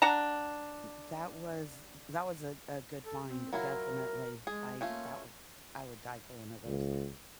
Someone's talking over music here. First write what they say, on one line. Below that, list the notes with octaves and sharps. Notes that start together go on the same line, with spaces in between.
M that was that was a a good find, definitely. I that wa u I would die for one of those.
D4 F#5 A5 A#5
A4
C4
F#3 E4 F4 A#4
G#3 G#4
A3 A#3 C#4 F4
C#2